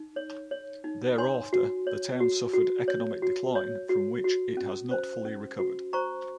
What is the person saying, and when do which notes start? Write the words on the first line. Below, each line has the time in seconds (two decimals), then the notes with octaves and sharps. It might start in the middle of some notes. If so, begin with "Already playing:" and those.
Thereafter the town suffered economic decline from which it has not fully recovered.
Already playing: D#4
0.16 C#5
0.51 C#5
0.84 D#4
1.18 C#5 G#5 C6
1.53 F#4
1.87 C#5
2.20 F#4
2.54 F#4
2.88 C#5
3.22 F#4
3.55 C#5
3.89 F#4
4.24 F#4
4.57 C#4
4.91 C5
5.25 C#4
5.59 F#4
5.93 C5 A#5 C#6